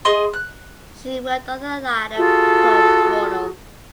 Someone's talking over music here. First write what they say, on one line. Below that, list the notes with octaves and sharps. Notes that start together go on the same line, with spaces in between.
She worked on the latter pro bono.
G#4 D#5 C6
F#6
F4 F#4 G#4 A4